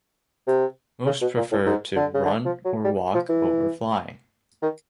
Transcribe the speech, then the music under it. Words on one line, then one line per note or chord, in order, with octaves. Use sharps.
Most prefer to run or walk over flying.
C3
C#3
B2
A#2
A2
G#2
D3
C#3
D3
F3
F#3
G3
F3
E3
D#3